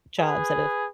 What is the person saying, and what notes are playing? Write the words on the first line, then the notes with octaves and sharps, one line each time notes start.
jobs that have
G#4 B4